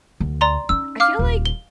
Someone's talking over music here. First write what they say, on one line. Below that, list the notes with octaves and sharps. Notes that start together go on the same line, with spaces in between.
I feel like
D2
D5 A#5 C6
C#4 D#4 E6
F5 D6 F6
D#1 F4
G7